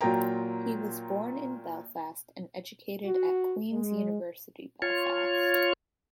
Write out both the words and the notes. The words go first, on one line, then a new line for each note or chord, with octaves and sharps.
He was born in Belfast and educated at Queen's University Belfast.
A#2 F#3 F4 A#4 G5 A#5
F#4
G#3
F4 C#5